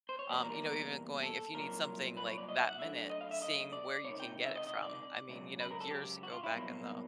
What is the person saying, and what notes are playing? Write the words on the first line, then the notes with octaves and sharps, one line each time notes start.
um, you know, even going if you need something, like, that minute, seeing where you can get it from I mean, you know, years ago back, in the I
C5
C#5
E2 B2 G3 A#3 D5
A#4
A#4
A4
C2 A#2 F#3 A#4
B4
C#5
D5
D#5
E5
F#5
D2 D3 F#3 E5
D#5
F5
E5
D#5
D5
C#2 C3 D#3 C#5
G5
E5
D#5
D#5
D5
C#2 C#3 F#3
B4
A#4
A4
G4
F#4
F4
E4
C2 B2 F#3 A#3